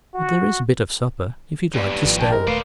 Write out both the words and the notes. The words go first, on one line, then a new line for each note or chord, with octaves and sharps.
But there is a bit of supper, if you like to stay.
F#4
E2 G2
D#2 A2
G#1 F3
D4 G5 A5
C2 G#3 A#4
D#1 A3 B4 C5 D5 F5